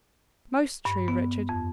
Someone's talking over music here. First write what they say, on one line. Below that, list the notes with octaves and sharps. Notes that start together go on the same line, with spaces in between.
'Most true, Richard.
G2
B3
F2